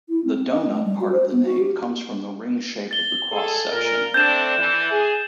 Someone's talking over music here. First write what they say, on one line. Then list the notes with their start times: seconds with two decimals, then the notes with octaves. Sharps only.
The "doughnut" part of the name comes from the ring shape of the cross-section.
0.09 E4
0.25 C4
0.50 D#5
0.71 A3
0.85 G3
1.01 F#4
1.12 C5
1.32 B3
1.45 F#4
1.60 G4
2.91 A6 G7
3.32 G#4 A4
3.71 A#2 A#4
4.14 A3 C4 D4 G6 A6 E7
4.58 E3
4.91 G#4